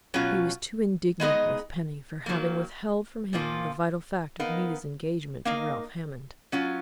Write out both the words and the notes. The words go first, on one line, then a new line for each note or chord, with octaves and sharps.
He was too indignant with Penny for having withheld from him the vital fact of Nita's engagement to Ralph Hammond....
B2 F#3 C#4 F4
G#3 B3 D#4 G#4 D#5
D#3 F#3 A#3
A#2 F3 A#3 F4
B3 D#4 A#4 F5
A#3 D#4 A#4 F5
F#3 C#4 F4